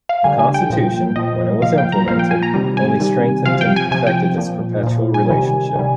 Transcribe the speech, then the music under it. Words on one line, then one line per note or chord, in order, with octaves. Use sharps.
The Constitution, when it was implemented, only strengthened and perfected this perpetual relationship.
F5
D3 G3 G#5
G#5
G5
A#2 F3
A#2 F3 D#5
A#2 F3 F5
G5
A#5
A#2 F3 F5
G5
G#5
A#5
C3 D#3 G3
G#5
C3 D#3 G3
C3 F3 F5
G5
G#5
C3 F3 G#5
G5
A#2 F3
A#2 F3
G#5
C3 D#3 G3
C3 D#3 G3